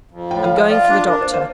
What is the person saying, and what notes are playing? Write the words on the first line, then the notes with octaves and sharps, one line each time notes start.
I am going for the doctor.'
F2
A2 G5
F5
F3
E5
F4 D5
D4
D4 A#4
C5
A#3
C5